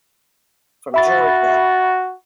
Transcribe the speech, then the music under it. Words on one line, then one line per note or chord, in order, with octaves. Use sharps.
from Georgia.
F#4 E5 B5 A6